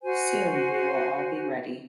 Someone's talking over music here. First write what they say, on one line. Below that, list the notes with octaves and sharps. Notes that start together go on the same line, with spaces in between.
Soon we will all be ready.
F#4 C5 G#5